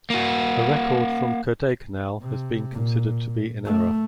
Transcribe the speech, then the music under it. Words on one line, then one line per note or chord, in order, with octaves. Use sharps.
A record from Kodaikanal has been considered to be in error.
A#3 F#4
C3
A#2
A3